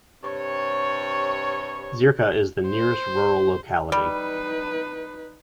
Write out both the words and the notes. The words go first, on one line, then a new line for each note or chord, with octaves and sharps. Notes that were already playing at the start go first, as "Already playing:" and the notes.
Zirka is the nearest rural locality.
G2 C3 C#5
C5
G3 D#4 B4